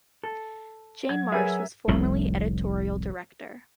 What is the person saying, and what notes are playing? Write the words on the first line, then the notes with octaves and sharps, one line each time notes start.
Jane Marsh was formerly editorial director.
A4
F#3 G#6
C#4 G#4 A#4 B4 E5
F1 C2 A2